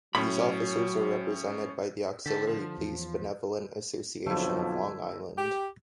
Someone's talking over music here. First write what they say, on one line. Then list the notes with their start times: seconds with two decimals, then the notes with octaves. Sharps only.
These officers are represented by the Auxiliary Police Benevolent Association of Long Island.
0.15 A2 F#3 C#4 B5
2.26 D3 G4 A4
2.47 F3
2.78 E2
4.26 B1 F2 D3 F3 F#3 A3 E4
5.37 G4